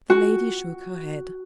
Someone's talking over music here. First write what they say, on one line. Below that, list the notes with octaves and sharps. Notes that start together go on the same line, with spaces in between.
The lady shook her head.
F#4